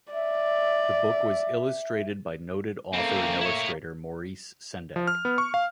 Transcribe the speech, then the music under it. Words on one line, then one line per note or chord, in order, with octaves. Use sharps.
The book was illustrated by noted author and illustrator Maurice Sendak.
D5 E5
C#3 A3 A#3 C4
E4 C#5
F3
F6
B3
C#6
F5